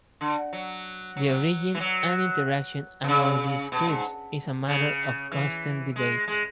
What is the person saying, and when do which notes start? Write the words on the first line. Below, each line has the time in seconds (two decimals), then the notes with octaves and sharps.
The origin and interaction among these scripts is a matter of constant debate.
0.21 D3
0.53 F#3
1.17 F#3
1.75 E3
1.80 F#3
3.04 B2
3.08 C#3
3.72 B2
3.88 G#2
4.68 C#3
5.32 E3
5.96 G#3
6.28 G#3